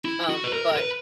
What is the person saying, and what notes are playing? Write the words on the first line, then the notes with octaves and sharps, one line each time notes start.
Um, but,
E4
F#4
B4
A#4
A#4
B4